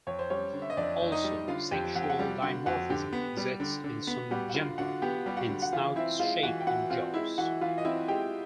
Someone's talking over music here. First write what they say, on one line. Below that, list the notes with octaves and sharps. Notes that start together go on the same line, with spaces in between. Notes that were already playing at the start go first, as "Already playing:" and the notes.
Also, sexual dimorphism exists in some genera in snout shape and jaws.
F2 C#5
C5
G3 C#4 C#5
D3
E5
D#5
F2 D4 D5
F2
D#4 D#5
G3
D3 F4 F5
F2 G4 G5
F2 F#5
G5
F#4 F#5
G3
D3 F#4 F#5
F2 F#4 F#5
D3 G4 G5
B3
G3
D3
D3
B3
G3 F#4 F#5
F#5
D3 F4 F5
D3 F#4 F#5
B3 G4 G5
G3
F#4 F#5
D3
F#5
E3 F4 F5
C4 E4 E5
G#3 F4 F5
E3 F#4 F#5
G5
E3 F#4 F#5
C4 F4 F5
G#3 E4 E5
E3 F#4 F#5
E3 F4 F5
D#5
C4 E4 E5
G#3 G4 G5